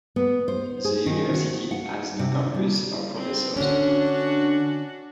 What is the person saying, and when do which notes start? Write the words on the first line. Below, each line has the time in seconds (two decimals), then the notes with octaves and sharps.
The university has no campus or professors.
0.16 B3
0.48 C5
0.85 G#4
1.06 D#3
1.34 F#4
1.71 F#5
2.19 C3
2.54 G3
3.15 C4
3.56 D3 C#4 D4 F#4